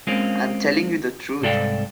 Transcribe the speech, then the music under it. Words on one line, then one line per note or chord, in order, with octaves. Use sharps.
I am telling you the truth.
G#3 A#3 C4 C#4 F4
C2 G#2 A4 D5 F5 G5